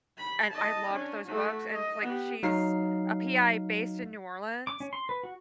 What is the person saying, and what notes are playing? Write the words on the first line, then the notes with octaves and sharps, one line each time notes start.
and I loved those books, and it's, like, she's a PI based in New Orleans
B5
D#5 A5
C#4 D4
A3 F#4
D#5
B3 G4
F#3 D#4 F5 C7
D6
C#4
C6
B4
F#4